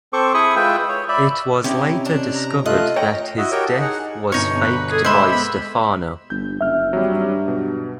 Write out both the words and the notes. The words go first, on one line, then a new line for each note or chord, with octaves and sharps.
It was later discovered that his death was faked by Stefano.
C4 A4 C5 C#6 D6
E4 G#4 G#5 B5 C#6 D#6
G#3 F4 B4 E5 G5
C#5
D5 E5 B5
C3 C#4 D#4 E4 G4
D4
A#5
A3 F4 D#5 F#6
C#5 G5 A#5
E4 F#4 D#5
F#4 G4 A#4 C#5 D#5 G5
A5
D#4 G#4 F#5
G1 B2 D#4 C#5
B4
G#4 A4
G#3 C5 D#5 E5 B5 C6 D6
B3 B5
G1 G6
F#1 E5 F6
G#1 F#3 G3
G2
B2